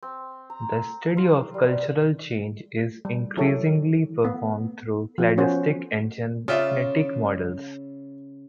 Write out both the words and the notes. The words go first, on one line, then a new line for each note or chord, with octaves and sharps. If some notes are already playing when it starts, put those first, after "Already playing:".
The study of cultural change is increasingly performed through cladistics and genetic models.
C4
A#5
F4
G3
G3
F#3 E4 G4 A4 C#5
B3
F3 F4
B3 C#4 F#4 C5 C#5
C#3 F4 D5 E5